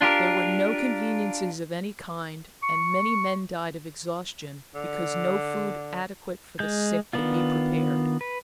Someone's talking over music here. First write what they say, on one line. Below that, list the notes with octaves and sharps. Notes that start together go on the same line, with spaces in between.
There were no conveniences of any kind and many men died of exhaustion because no food adequate for the sick could be prepared.
D4 F4 G4 A#4
C#6
D3
G#3 G6
D#3 B3 D4 F4
B4